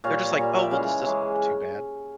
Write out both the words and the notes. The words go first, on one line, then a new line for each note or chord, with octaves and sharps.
They're just like, "Oh, well, this doesn't look too bad,"
A#2 G3 C#5 F5
A#2 G3
E5 G5
C#3 E3 G#3 C#5 F5
C#3 E3 G#3